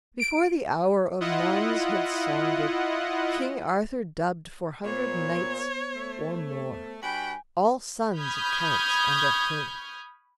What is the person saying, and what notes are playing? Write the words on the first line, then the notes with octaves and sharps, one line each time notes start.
Before the hour of nones had sounded, King Arthur dubbed four hundred knights or more all sons of counts and of kings.
D7
E4 F4 D#5 F#5
A#2 B3 C5 C#5
A3
G2 F#4 G5 G#5 B5
B5 C#6 D#6 F6 G6 G#6